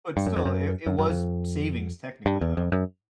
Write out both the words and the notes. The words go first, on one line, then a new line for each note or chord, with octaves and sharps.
But, still, it it was savings technically, though.
G2
F#2
F2
F#2
F#2
F#2
F2
G2
E2
F2
F#2